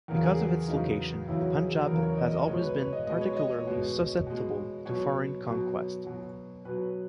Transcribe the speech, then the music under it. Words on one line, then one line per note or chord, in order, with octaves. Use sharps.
Because of its location, the Panjab has always been particularly susceptible to foreign conquest.
E2 C#3 F#3 A#4
G#4
F#4
E2 C#3 F#3 D#4
E2 C#3 F#3 E4
F#4
G#4
F#4
E2 C#3 F#3 A#4
C#5
D#5
D#5
B2 G#3 C#5
B4
C#5
D#5
B2 G#3 D#5
C#5
D#5
C#5
B2 G#3
B2 G#3
B2 F#3 C#5
B2 F#3
B2 F#3
B2 F#3 B4